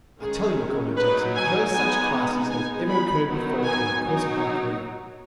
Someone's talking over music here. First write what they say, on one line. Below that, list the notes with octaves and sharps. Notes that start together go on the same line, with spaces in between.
I tell you, Comrade Jackson, no such crisis has ever occurred before in the course of my career.'
D#3 G#3 C#4 G#4
F#3 D#4 B4
G#5
G#3 B3 D#4 G#5
G#3 B3 D#4 G#5
B5
D#3 F#3 B3 D#4
G#5
F#3 D#4